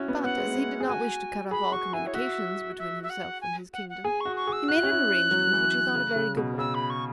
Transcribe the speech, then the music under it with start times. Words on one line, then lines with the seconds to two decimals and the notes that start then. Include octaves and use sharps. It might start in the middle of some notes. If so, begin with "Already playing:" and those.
But, as he did not wish to cut off all communication between himself and his kingdom, he made an arrangement which he thought a very good one.
Already playing: C#4 E4 F#4
0.08 B3
0.24 B3 F#5
0.38 G#3
0.52 B3
0.80 G#4
0.87 F#4 G#5
1.51 G#4 B5
1.72 F#4 C#6
1.93 E4 G#5
2.06 C#5
2.14 F#4 E5
2.78 E5
3.03 E5
3.09 F#5
3.41 G#5
3.73 F#5
3.89 F#5
4.04 G#4 G#5
4.20 C#6
4.25 F#4
4.36 C#6
4.47 G#4
4.52 E6
4.68 F#4 F#6
4.76 E4
4.83 C#4
4.91 E4
5.31 F#3
5.53 E3
5.95 C#3
6.16 C#3
6.37 B2
6.58 C#3 E6
6.74 B5
6.90 C#6